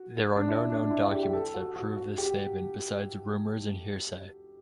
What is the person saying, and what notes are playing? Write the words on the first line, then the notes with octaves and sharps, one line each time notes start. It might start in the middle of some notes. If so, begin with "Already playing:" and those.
There are no known documents that prove this statement besides rumours and hearsay.
Already playing: F#4
D4
E4
D4
D4
E4
G4
G4
A4
F#4
F#4
F#4
G4